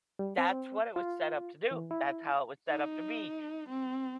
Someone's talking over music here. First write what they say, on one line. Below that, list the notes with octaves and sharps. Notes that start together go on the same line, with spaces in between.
that's what it was set up to do. That's how it was set up to be,
G3
C4
F4
E3
E4
D#4
C4